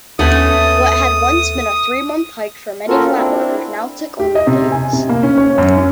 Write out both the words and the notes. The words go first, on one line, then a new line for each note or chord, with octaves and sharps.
What had once been a three-month hike for many flatboaters, now took only days.
D#2 A3 B3 C#4 D#6
A#3 C#4 F4 F#4 A4 A#4
C4 D4 E4
G4
D#5
C3
G#5
C3
A#3
C#4
C#5
F#2
C#4